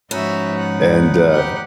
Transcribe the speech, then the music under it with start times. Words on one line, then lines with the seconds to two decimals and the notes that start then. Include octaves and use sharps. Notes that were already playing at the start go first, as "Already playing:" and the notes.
and, um
0.11 G#2 F3 C#4 D#4 F#4 B4 E5
0.59 F#5
1.31 G4 F#5